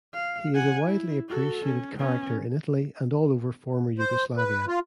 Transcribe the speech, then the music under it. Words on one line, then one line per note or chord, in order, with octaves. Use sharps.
He is a widely appreciated character in Italy and all over former Yugoslavia.
F5
F#5 G#5
E4
F#4 A4
C#4
B3 C#4
C5
B4
F4